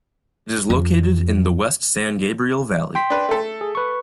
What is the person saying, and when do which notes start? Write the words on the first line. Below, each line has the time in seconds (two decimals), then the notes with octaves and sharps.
It is located in the West San Gabriel Valley.
0.70 F2
2.95 G5 C6 B6
3.10 D4 B4
3.29 A3 A4
3.61 G#4
3.75 B4 C#6